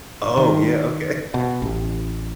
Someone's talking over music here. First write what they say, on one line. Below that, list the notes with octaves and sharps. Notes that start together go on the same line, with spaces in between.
Oh yeah, okay.
D#3
B2
A1